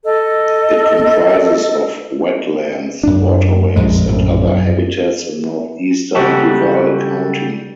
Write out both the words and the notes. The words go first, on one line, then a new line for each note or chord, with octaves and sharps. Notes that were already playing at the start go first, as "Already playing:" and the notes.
It comprises of wetlands, waterways, and other habitats in northeastern Duval County.
A4 D#5
F#2 D4
A#1 F2 G#3
A#1 F#2 A2 C#3
F#2
C#3 G3 F#4 G4 A4